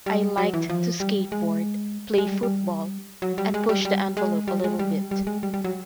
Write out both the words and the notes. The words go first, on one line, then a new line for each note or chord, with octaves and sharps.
I liked to skateboard, play football, and push the envelope a little bit.
G3
F#3
E3
F3
G3
G#3
G#3
G3
G3
F#3
G3
G#3
G3
G3
G#3
G3
G#3
G3
G3
G#3
G3
G3
F#3